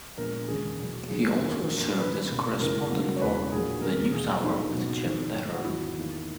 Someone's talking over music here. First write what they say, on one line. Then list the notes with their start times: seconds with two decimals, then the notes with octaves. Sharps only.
He also served as a correspondent for "The News Hour with Jim Lehrer".
0.17 A#1 A#2 G#3 B3 A#4
0.48 E1 D#2 C#3 G#3 G#4
0.78 E2 B2 F#3
1.08 A#1 G#2 D#3 F#3 G#4
1.39 F#2 D#3 F#3 B3 A#4
1.69 A#1 A#2 A#3
2.00 G#1 G#2 E3 B4
2.30 C#2 B2 A#3
2.61 F#1 F#2 C#3 E3 G#3 A#4
2.91 C#2 C#3 F#3 A#3
3.16 C#5
3.21 E1 E2 C#3 E3 G#3 B4
3.52 A#1 A#2 F#3 A#3 G#4
3.82 D#2 C#3 G#3 B3 A#4
4.12 E2 B2 A#3 G#4
4.43 A#1 G#2 F#3 A#3 D#4
4.73 C#2 B2 F#3 B3
5.04 E1 E2 D#3
5.34 G#1 G#2 F#3
5.54 F#4
5.64 E2 D#3 F#3 E4
5.95 E2 D#3 A#3